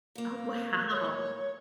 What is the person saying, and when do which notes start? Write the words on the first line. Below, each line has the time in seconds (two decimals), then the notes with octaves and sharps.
Oh, wow.
0.15 A#2 A#3
0.91 C#5